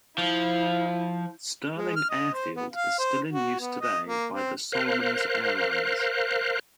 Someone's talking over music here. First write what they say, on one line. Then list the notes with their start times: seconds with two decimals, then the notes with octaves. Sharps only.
Stirling airfield is still in use today by the Solomons Airlines.
0.18 F3 E4
1.76 G#3
1.96 F6
2.10 D#5
2.34 C5
2.56 B3
2.71 F5
2.98 C5
3.31 F#4
3.60 B3
3.81 D#5
4.06 A#3
4.33 C4
4.72 A#4 C5 F5 F#6